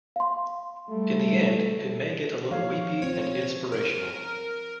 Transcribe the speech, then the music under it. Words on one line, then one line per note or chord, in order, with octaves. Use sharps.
In the end it may get a little weepy and inspirational.
F5 C6
G3 A3
F3 C#5 F5
C4 F4 C#5
A#4